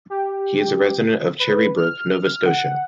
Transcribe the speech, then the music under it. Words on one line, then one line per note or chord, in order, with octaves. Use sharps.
He is a resident of Cherry Brook, Nova Scotia.
G4
B4
F6
F#5